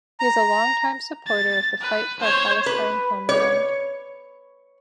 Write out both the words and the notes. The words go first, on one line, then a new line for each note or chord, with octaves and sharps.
He is a longtime supporter of the fight for a Palestine homeland.
A#5
A6
B4
C5 C#5
B4
C#5